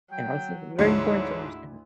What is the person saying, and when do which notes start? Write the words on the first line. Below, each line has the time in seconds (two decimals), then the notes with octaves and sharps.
and honestly, it's very important to understand that,
0.12 F#3 G5
0.79 D2 G#2 F3 E4 C#5